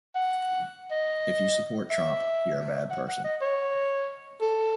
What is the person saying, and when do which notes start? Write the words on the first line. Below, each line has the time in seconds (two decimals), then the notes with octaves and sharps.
If you support Trump, you're a bad person.
0.15 F#5
0.91 D#5
1.90 E5
2.90 F#5
3.08 F#5
3.24 D#5
3.41 C#5
4.41 A4